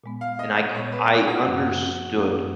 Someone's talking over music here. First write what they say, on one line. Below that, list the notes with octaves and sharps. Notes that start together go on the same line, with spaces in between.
and I c I understood
A#2 G#3 B3
F5
D#5
D#5
A#2 G#3 B3 C#5
B4
G#4
F#4
F#2 F3 A#3 C#4
F#2 F3 A#3 C#4